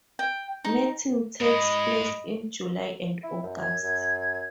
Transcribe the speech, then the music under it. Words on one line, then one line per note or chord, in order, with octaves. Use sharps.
Mating takes place in July and August.
G5
D#4
G#2 G#3 D#5 B5
E4
F#2
G#6
F#2